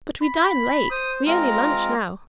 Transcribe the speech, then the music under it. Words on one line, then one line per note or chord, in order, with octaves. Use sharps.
But we dine late, we only lunch now.
B5
C5 D#6
G#3 C4 F4 A#5